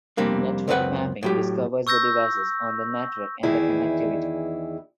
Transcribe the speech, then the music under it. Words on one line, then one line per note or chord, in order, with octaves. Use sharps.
Network mapping discovers the devices on the network and their connectivity.
F2 C3 G3 A#3 D4
C#2 F#2 C4 B4 F#5
A2 F#3 G4
C#6 E6 G6 A#6
E2 D#3 E3 E4 G#4 D5